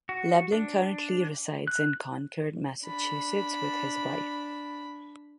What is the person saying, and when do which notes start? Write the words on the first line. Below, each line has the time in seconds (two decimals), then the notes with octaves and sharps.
Lebling currently resides in Concord, Massachusetts with his wife.
0.09 F#4
0.52 D4
1.67 F#6
2.85 D4 B5